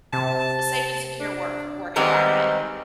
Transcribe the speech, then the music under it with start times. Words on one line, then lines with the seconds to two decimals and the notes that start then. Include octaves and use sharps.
a safe and secure work f work environment,
0.13 C3 A5
1.20 D4
1.96 D#3 G3 G#3 B3 C4